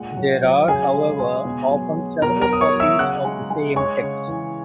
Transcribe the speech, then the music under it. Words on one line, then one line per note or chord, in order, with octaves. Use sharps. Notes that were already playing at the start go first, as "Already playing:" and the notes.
There are, however, often several copies of the same texts.
Already playing: A#2 G#3 F#5
F#3
F#3
C#3 G#4 G#5
G#3
G#3
B2
F#3
F#3
B2 A#4 A#5
A#4 A#5
F#3 D#6
C#5 C#6
F#3
E5 E6
C#3 F#5 F#6
G#3
G#3
G#3 C#5 C#6
C#3
E3